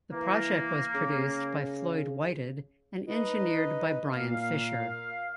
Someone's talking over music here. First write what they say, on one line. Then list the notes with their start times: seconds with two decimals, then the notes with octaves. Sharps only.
The project was produced by Floyd Whited and engineered by Brian Fisher.
0.13 E3 A#3
0.95 C#3
3.08 D#4 B4 D#5
4.13 A#2 A#3 F5